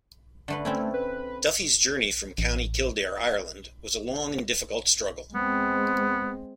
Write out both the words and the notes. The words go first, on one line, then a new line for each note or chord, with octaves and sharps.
Duffy's journey from County Kildare, Ireland was a long and difficult struggle.
D3 A3 B4
A3 C4 C#4 E4
B4
A1
G#3 B3 C4